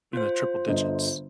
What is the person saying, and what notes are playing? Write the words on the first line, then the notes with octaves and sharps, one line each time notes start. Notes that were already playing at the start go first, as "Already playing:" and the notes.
in the triple digits,
F4 C5
G1 D#5